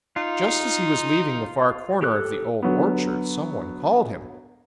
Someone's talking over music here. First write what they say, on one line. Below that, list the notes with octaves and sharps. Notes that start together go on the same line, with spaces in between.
Just as he was leaving the far corner of the Old Orchard some one called him.
D#4 F4
G4 A4 F#6
D3 F#3 B3